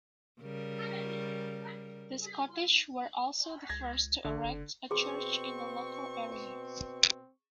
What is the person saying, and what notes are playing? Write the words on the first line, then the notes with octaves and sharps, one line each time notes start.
The Scottish were also the first to erect a church in the local area.
C#3 G3 A#4
C#2 G#6 A#6
A1 D3
F#1
B2 C4 G#4 C6 C#6